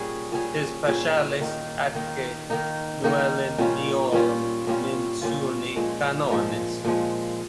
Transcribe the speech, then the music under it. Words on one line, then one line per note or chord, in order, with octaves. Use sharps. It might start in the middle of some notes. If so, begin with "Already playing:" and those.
His Paschales atque nouiluniorum mensurni canones.
Already playing: A#2 G3 C#4 G#4
A#2 G3 C#4 G#4
A#2 G3 C#4 G#4
D#3 A#3 D#4
D#3 A#3 D#4
D#3 A#3 D#4
D#3 A#3 D#4
A#2 G3 C#4 F4
A#2 G3 C#4 F4
A#2 G3 C#4 F4
A#2 G3 C#4 F4
A#2 F3 G#3
A#2 F3 G#3
A#2 F3 G#3